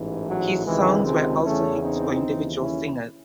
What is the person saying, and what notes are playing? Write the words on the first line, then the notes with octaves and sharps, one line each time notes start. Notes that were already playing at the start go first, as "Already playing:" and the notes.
His songs were also hits for individual singers.
Already playing: A1 G#2 E3
F#3
C#2 C3 D#3 E3 G#3
G#3 C4
E2 C#3 E3 A3 C#4
C4 D#4
D#2 C#3 E3
C#4 E4